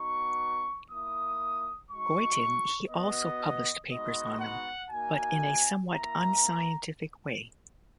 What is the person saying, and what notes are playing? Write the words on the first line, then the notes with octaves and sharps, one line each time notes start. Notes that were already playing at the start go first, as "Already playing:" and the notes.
Goitein, he also published papers on them, but in a somewhat unscientific way.
Already playing: B3 D#4 F#4 C#6
A#3 E4 D#6
G#3 D#4 F#4 C#6
B3 F#4 D#5
G#3 B3 D#4 F#4 D#5
F#5
A#3 D#4 F#4 G#5
A#3 E4 A#5